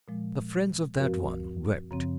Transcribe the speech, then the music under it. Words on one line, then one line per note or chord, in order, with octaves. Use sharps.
The friends of that one wept.
A#2 F3 G#3
F#2 F3 C4 F#4 A#4
F#2 C#3 F3 C4